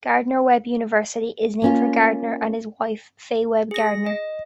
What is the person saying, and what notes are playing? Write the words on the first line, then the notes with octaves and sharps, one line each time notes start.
Gardner-Webb University is named for Gardner and his wife, Fay Webb Gardner.
A#3 C#4 F4
G#4 A#6
D#5